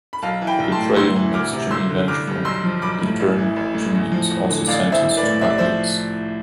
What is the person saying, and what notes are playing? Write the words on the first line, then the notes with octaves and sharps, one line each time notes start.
The betrayal makes Jimmy vengeful; in turn, Jimmy is also sentenced to buckwheats.
B5
B1 F5 A5
E3
G5 B5
B1
A5 C6
A2
D2 C6 E6
E3
D2 D6 F6
C3
G1 C6 E6
D3
G1 D6 F6
G2
B1 C6 E6
F3
B1 B5 D6
A2
A1
E3
A1
A2
E2
F3
E2
D3
A1 D5 F5
E3
C5 E5
A1
B4 D5
A2
C2 E5
D5
F3 C5 E5